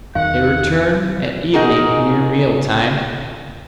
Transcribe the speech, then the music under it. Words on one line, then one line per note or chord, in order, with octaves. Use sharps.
They return at evening near meal time.
E2 D#3 F5 F#5
D#4 F#4 G#4 A#4